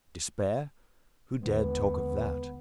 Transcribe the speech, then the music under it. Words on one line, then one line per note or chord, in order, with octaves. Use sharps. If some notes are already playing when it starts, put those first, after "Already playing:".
Despair! Who dared talk of that?
D#2 D3 G#3 B3